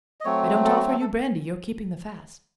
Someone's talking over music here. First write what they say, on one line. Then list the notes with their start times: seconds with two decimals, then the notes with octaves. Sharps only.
I don't offer you brandy, you're keeping the fast.
0.20 D#5
0.25 F#3 A3 C4 C#5
0.65 A4
0.76 F#4
0.88 A4
1.01 A4